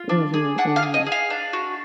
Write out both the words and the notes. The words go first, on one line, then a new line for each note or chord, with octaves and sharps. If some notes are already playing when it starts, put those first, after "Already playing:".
Mhm, mhm.
Already playing: F4
D4
G#4
D4 F#5
F5
G#4
D#5
G#4
F5
D4
F#4